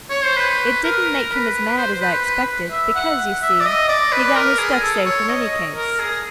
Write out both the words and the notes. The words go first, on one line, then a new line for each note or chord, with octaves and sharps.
It didn't make him as mad as I expected, because, you see, he got his stuff safe in any case.
C#5
C5
B4
A#4
B4
C5
C5
B4
B4
E5
F#5
E5
D5
D#5
D5
B4
A#4
G#4
A4
C#5
D#5
A#4
G#4